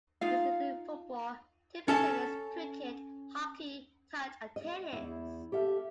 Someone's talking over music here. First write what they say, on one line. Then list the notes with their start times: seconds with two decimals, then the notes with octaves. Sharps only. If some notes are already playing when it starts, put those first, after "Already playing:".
These include football, table tennis, cricket, hockey, touch and tennis.
0.21 D#4 F4 F5
1.88 C#4 A4 A5
4.56 D#5
4.93 E2 E4
5.52 G4 A4 E5 F5